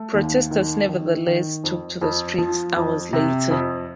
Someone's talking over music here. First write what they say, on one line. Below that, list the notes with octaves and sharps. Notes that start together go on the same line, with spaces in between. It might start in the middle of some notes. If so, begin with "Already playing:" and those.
Protesters nevertheless took to the streets hours later.
Already playing: A3
D#2
D#3
D#3
D#3
F2
F2
F3
F2
C3
F2